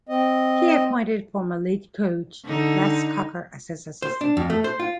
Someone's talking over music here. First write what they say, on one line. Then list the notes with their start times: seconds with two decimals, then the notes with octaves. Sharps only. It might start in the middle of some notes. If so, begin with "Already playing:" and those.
He appointed former Leeds coach Les Cocker as his assistant.
0.09 C4 D#5
2.45 D3 D#4
4.02 C5
4.21 D4
4.37 F2
4.50 A3
4.64 C5
4.80 F4